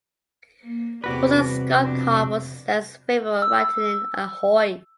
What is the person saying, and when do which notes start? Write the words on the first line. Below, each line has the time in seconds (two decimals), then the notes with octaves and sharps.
Orson Scott Card was less favorable, writing in Ahoy!
0.63 A#3
1.04 E2 C3 F#4 G4 B4 D5
1.40 G3
1.81 F2 B2 D4
3.42 E6